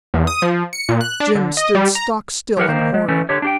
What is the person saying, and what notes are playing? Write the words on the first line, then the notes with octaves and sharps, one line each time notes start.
Jim stood stock still in horror.
E2
D#6
F3
C#7
A#2
F#6
D4
D3
D#5
G3
A#5
F#3 G4 A#4 F#5
D#3 A#3 C5
G#3
E3 A3 C#4
D3 G4 C#5
D4 G4 G5